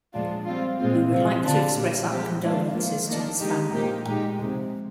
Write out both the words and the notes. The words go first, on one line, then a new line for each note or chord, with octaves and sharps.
We would like to express our condolences to his family.
A#2 F3 G#3 D4 F4
G3 C4 F4
A#2 G#3 C4 F4
C3 F3 C4 F4
D3 G3 D4 F4
A#2 G3 A#3
F3 G#3 C4 G4
A#2 G#3 D4 F4
F3 A#3 F4
D#3 A#3 D4
D#3 G#3 D#4 G4
A#2 F3 A#3 D#4 G4
A#2 G#3 D#4 G4
C3 F3 G#3